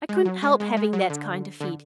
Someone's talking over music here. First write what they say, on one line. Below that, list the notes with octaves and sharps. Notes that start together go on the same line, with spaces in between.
I couldn't help having that kind of feet.
G#3
F#3
G#3
G#3
G#3
F#3
D3
D3